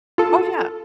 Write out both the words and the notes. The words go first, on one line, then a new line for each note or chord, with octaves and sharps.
Oh, yeah.
F4 A4